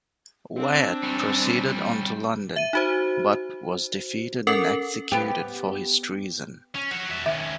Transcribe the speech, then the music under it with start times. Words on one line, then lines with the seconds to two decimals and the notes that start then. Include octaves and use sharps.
Wyatt proceeded on to London but was defeated and executed for his treason.
0.57 C4 D4
1.03 G3 C#4
2.56 E5 D#7
2.73 D#4 F#4 C5
4.47 C#4 A4 A#4 C7 F#7
5.12 B3 G4
6.75 C#4
6.91 F#4 C#5
7.10 F#4 E5
7.26 D#3 C#4 E5